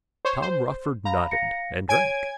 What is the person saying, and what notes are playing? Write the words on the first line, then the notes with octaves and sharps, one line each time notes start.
Tom Rochford nodded and drank.
C5 C#5
C5
F5 A#5 B5
F5 A#6 C#7
C#5 G#5 G#6 D7 D#7